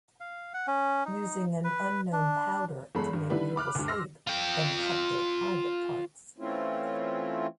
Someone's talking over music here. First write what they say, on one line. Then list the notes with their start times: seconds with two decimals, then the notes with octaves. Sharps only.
Using an unknown powder to make people sleep then cut their private parts.
0.20 F5
0.54 F#5
0.67 C#4
1.06 D#4
1.64 B4
2.13 D4
2.95 F#1 E2 G#3 A4 B5
3.13 G2
3.30 D3 D#3 G3 D4 E4 B4
3.56 B5 D6 F6 F#6
3.75 D2 G2
3.88 C6 E6 F6 A#6
4.27 F4 G5
6.38 E3 A3 C4 C#4 E4 F4